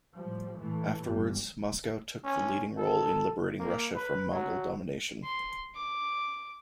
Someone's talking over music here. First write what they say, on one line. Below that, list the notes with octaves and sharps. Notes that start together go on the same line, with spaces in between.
Afterwards, Moscow took the leading role in liberating Russia from Mongol domination.
A2 F3 G3
A2 E3 A3
G1 G3
C#4
A4
A#3
B4
F#3
C6
D6